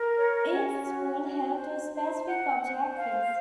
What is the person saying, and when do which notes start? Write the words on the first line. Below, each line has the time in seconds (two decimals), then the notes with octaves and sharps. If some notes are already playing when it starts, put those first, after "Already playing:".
Each school held to specific objectives.
Already playing: A#4
0.16 C#5
0.51 C#4
0.86 F#4
1.22 F#4
1.57 C5
1.92 C5
2.27 F#5
2.62 C5
2.97 F5